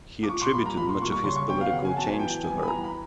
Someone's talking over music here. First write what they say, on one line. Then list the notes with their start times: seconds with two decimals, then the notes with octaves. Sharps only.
He attributed much of his political change to her.
0.23 D6
0.29 A#2 C#6
0.42 C6
0.53 G3 A#3 B5
0.66 A#5
0.77 A#2 B5
0.89 C6
1.01 A#3 C#6
1.04 G3
1.12 C#6
1.24 C#3 C6
1.36 C#6
1.48 F#3 B3 G5
1.61 F5
1.72 C#3 F#5
1.85 G#5
1.97 F#3 B3 A5
2.07 G#5
2.19 E3 G5
2.44 G3 B3 G#5
2.63 B5
2.67 E3 A#5
2.84 B5